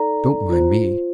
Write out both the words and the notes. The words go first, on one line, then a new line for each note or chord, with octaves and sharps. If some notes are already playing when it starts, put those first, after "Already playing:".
"Don't mind me."
Already playing: D#4 A4 D5 A#5
F4 C5